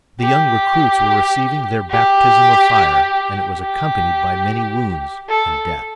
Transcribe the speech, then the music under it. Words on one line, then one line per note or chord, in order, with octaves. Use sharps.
The young recruits were receiving their baptism of fire and it was accompanied by many wounds and death.
G4
G4
G4
A4